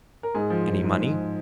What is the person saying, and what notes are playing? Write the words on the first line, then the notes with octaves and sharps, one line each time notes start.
"Any money?"
A#4
G#2 G#4
F3
F3
G#2
G#2